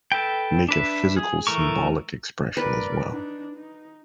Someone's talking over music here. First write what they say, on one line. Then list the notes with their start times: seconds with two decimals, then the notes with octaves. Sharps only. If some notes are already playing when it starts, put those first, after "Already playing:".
make a physical symbolic expression as well?
0.12 A4 B4 G5
0.69 D4 B4 E5
1.17 G#4
1.47 E3 A3 A#4 C#6
2.57 A#4 B4 D5
3.10 D4 D#4
3.55 D#4